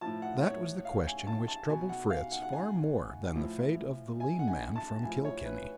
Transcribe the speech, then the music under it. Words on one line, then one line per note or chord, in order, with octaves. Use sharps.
That was the question which troubled Fritz far more than the fate of the lean man from Kilkenny.
A2 F3 A5
F#5
C#5
F5
G#5
A5
A5
B2 G#5
F#5
F5
F#5
F#5
G#5
A2 F3
G#5
F#5
G#5
A5
A2 F3 G#5
C#5
B4